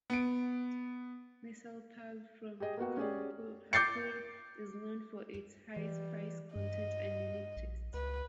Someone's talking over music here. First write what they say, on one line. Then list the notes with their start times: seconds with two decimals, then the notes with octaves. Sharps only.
Misal pav from "Kolhapur" is known for its high spice content and unique taste.
0.10 B3 D7
2.60 G4 G#4 D#5
2.77 A#3 B3 F#4 F#5
2.97 C#4 G4 G#4 D5
3.73 D6 G6 A6 C7 C#7
5.76 E3 G3
6.56 G2 D#5
7.57 A#1
7.94 C#2 B4